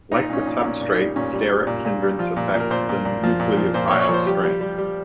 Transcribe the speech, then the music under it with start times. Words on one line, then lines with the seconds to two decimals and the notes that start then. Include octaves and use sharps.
Like the substrate, steric hindrance affects the nucleophile's strength.
0.12 A#2 D#4
0.30 A#2 C#4
0.38 D#4
0.46 A#2
0.64 A#2 C#4
0.81 A#2
0.90 D#4
0.98 G3
1.16 A#2 C#4
1.33 G3
1.51 G3
1.67 A#2
1.85 A#2
2.02 G3
2.19 F3 F4
2.37 A#2
2.54 A#2
2.60 A#4
2.71 A#2 C5
2.89 A#2
3.05 A#2
3.24 F3
3.40 A#2
3.57 F3
3.74 A#2 C5
3.88 A#2 C#5
4.01 C#5
4.09 F3
4.14 C5
4.26 G3 G4
4.44 G3
4.61 G3
4.78 G3